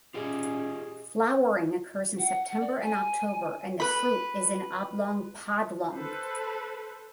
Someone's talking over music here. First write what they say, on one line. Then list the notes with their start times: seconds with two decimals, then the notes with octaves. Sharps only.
Flowering occurs in September and October and the fruit is an oblong pod long.
0.14 C#4 F4 G4 G#4 D#5
2.19 F#5
2.61 D5
2.81 G#5
3.80 B4 B5
5.92 A4 B4 C5